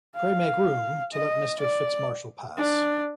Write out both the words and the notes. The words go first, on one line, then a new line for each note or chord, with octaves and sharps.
Pray make room, to let Mr. Fitz-Marshall pass.
F5
D#5
D5
D4